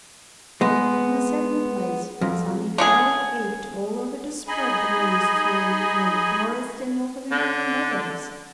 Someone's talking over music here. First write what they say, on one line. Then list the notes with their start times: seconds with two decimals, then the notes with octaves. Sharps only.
In the second place, Sammy fairly ached all over to spread the news through the Green Forest and over the Green Meadows.
0.61 G#3 B3
2.21 F2
2.78 D3 B3 G#4
4.48 D#4 G#4 D#5 G#5 B5
7.32 D3